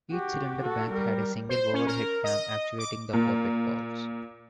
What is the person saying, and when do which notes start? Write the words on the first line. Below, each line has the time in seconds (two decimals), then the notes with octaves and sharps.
Each cylinder bank had a single overhead cam actuating the poppet valves.
0.11 F#4 G4
0.62 F#4 A4
0.91 G3 A#4
1.49 C5
1.73 C#4
1.87 A#4
2.24 D#5
2.79 D6
3.13 A#2